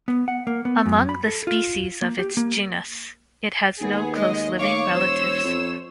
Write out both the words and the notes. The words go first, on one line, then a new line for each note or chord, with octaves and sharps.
Among the species of its genus, it has no close living relatives.
B3
F#5
A#3
B3
F#2
B5
A4
F4
A#3
G4
A#3
D#2 B3 G#4
G#3 D#5
D#2 C#5 F5 C#6 D6
E1 C5 E6
F2